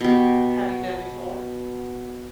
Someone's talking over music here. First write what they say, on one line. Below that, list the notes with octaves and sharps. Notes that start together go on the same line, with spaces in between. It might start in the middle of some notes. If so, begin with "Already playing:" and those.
I know. Have you been before?
B2 G4